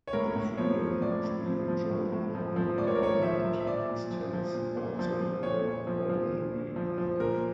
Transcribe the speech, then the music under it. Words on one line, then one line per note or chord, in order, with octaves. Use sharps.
The freedom which we enjoy in our government extends also to our ordinary life.
C#5
A2 A#4
A2
F3 C#5
F3
A2 D5
A2
F3
F3
A2
A2
F3
F3
A2 D5
C#5
A#4
A2 C#5
F3 E5
F3
E5
A#2 D5
A#2
F3
F3
A#2
A#2
F3
F3
A#2 C#5
A#2
F3
F3
A#2
A#2
F3
F3
A#2 A#4